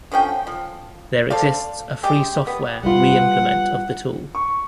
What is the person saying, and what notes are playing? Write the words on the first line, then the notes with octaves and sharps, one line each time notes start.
There exists a free software re-implement of the tool.
D3 F3 C#4 G5
F3
A4 C5 D5 F5
G3 G#3 G4
B3
G3 B3 F4 F#5
C#6